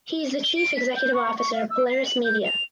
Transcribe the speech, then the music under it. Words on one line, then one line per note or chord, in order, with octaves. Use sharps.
He is the chief executive officer of Polaris Media.
G7
D7
B6
G6
C#6
C#6
F5
E6
C7
F#7
G6
F7